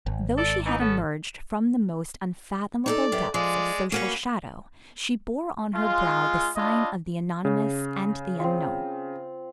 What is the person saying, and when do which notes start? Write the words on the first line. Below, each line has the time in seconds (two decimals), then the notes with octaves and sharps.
Though she had emerged from the most unfathomable depths of social shadow, she bore on her brow the sign of the anonymous and the unknown.
0.06 G#1
0.37 A4 D5
0.66 E3 D#4
0.80 B3 C#4 A4
2.86 D#4 G4 A4 D5
3.12 F#2 B3 G4
3.34 F3 G#3 D5
3.92 A#3 C#4 F#4 B4
5.74 G#3 F4
6.55 D4 E4 F4 D#5
7.45 C#3
8.40 C4 F4